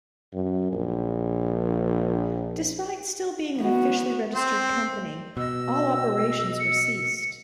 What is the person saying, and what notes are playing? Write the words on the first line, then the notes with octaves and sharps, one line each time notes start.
Despite still being an officially registered company, all operations were ceased.
F#2
A#1
B3 F#4
C4 C5
B2 D#5 E6
C#7